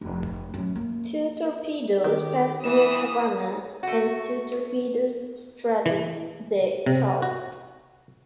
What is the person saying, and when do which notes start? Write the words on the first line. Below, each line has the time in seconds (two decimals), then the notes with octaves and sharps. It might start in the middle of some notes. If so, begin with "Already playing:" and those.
Two torpedoes passed near "Havana" and two torpedoes straddled "DeKalb".
0.01 F1
0.54 F#2
0.75 A#3
2.04 D#3 G4
2.64 E3 G3 D#6 E7
3.83 A3 F#4
5.86 E3
6.86 C3
7.22 F#4